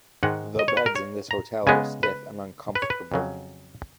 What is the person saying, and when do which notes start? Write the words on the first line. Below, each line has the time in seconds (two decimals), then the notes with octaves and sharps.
The beds in this hotel are stiff and uncomfortable.
0.23 G#2 D#3 G#3 F#5
0.59 D#5
0.68 C#5
0.77 B4
0.86 A#4
0.96 C#5
1.31 A#5
1.67 C#3 G#3 B3 G#5
2.03 B4
2.75 B4
2.82 C#5
2.90 B4
3.12 F2 C#3 F#3